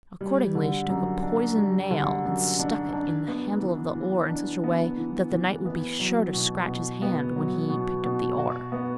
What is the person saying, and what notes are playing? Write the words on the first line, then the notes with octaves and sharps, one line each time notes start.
Accordingly she took a poisoned nail and stuck it in the handle of the oar in such a way that the knight would be sure to scratch his hand when he picked up the oar.
G3
D3
F#2
D4
G3
D3
F#2
D4
D4
B3
E3
E3
D4
B3
E3
E3
B3
F#3
B2
B2
B3
F#3
B2
B2
F#4
B3